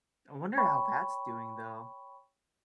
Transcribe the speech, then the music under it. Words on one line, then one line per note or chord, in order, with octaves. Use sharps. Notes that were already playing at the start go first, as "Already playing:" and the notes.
I wonder how that's doing though.
C#5 G5 B5 C#6